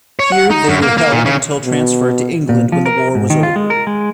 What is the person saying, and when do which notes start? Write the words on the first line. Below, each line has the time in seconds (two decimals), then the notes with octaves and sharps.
Here they were held until transferred to England when the war was over.
0.19 C#5
0.32 F#5
0.50 D#4
0.69 F#2
0.82 A#3
0.98 A#3
1.12 A#2
1.25 C#3
1.65 B2
2.49 A#2
2.72 F3
2.86 A#4
3.15 G#2
3.30 D#3
3.43 F4
3.56 G#3
3.70 A#4
3.87 G#3